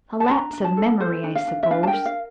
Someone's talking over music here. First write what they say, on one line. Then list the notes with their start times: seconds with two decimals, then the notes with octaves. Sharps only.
A lapse of memory, I suppose.
0.20 A5
0.29 D4 A#5
0.53 D4
0.64 A5
0.77 A4
1.00 A4 C5
1.23 D4
1.35 F5
1.47 D4
1.63 E5
1.71 D4 F5
1.83 A5
1.87 G5
1.93 A#4
2.06 F5